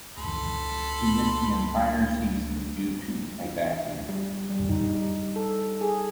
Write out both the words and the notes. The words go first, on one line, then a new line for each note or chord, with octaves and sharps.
He missed the entire season due to a back injury.
C#2 A4 B5 C6
G3
G3
D#4
G3
A4
G#4